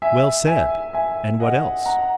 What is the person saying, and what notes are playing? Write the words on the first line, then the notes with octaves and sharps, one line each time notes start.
'Well said; and what else?
E5 G#5
E5 G#5
E5 G#5
D#5 F#5
F#5 A#5